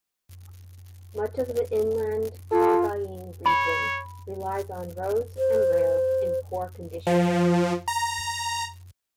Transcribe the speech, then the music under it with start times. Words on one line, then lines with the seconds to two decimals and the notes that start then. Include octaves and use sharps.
Much of the inland Sagaing Region relies on roads and rail in poor condition.
2.51 F4 A4
3.46 C#5 B5
5.38 C5
7.07 F3
7.88 A#5